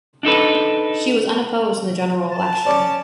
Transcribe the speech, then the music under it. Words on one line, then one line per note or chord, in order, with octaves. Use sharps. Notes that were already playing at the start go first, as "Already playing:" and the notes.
She was unopposed in the general election.
D4 D#4 A4 B4
A5
C#4 D5 D6